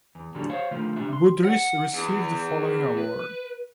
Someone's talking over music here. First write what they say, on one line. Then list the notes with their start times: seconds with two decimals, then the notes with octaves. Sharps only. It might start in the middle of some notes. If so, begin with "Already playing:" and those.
Budrys received the following awards.
0.15 E2
0.34 D#2 A2 D3 F#3 G3 D4
0.50 C5 C#5 F5
0.71 D3 D#3 F3 A3
0.96 C3 G3 D4 E5
1.13 C6
1.45 F#5
1.93 E2
2.98 B4